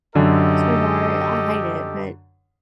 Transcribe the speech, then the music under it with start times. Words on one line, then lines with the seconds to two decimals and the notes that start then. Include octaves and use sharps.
Sweetheart, I hate it, but
0.15 F#2 D3 G4 A4 D#5